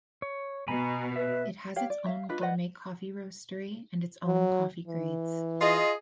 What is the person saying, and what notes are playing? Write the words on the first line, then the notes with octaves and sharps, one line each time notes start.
It has its own gourmet coffee roastery and its own coffee grades.
C#5
B2 G#5 A#5 B5
B4 E5
G4 C#5 F5 G5
D5
E5 F5
D4 F4 B4 D#5
B4 D5 D#5 F#5
F#3
E3
F4 G#4 D#5